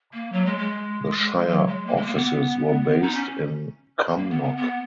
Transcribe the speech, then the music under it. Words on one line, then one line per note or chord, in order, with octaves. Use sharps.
The shire offices were based in Cumnock.
A#3
F#3
G#3
G#3
F#3
G#3
A#3
G#3
A#3
B3
D#4
C#4
A#3
B3
B3
B3